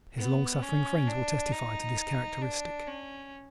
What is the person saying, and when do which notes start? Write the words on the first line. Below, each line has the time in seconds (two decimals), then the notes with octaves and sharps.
His long-suffering friends will testify to this characteristic.
0.17 B3
0.62 C#4
1.07 D4
1.52 D#4
2.42 D4
2.87 C#4